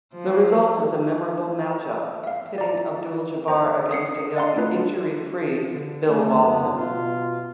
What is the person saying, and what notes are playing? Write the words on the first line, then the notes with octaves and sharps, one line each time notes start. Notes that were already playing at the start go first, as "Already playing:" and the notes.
The result was a memorable matchup, pitting Abdul-Jabbar against a young, injury-free Bill Walton.
F3
E5 F5
D5 A#5
C5 A#5
D#6 C7 C#7
D5 D#5 F5 F#5 A#5 C6
A3 D4 F4 B4
D3
A3
F#1 B3
B2 F4